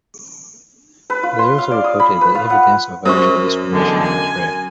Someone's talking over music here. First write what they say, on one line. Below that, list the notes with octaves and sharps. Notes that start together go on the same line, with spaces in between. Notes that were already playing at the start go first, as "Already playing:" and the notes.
They also reported that evidence of actual discrimination was rare.
B4
F4
C6
F5
D5
D#6
B5
B4
F4
F#5
F#2 A#4 C5 C#6
E2 D3 G#3
G#5